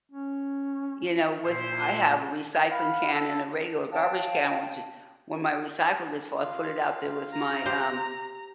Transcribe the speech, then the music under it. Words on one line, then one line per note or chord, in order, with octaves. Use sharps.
you know, with I have a recycling can and a regular garbage can, which it when my recycle gets full, I put it out there with my, um
C#4
A#2 E4 C5
F5 F#5 B5
A4
C#5 F5 G5 A5
F4 F5
A#5
G4 C5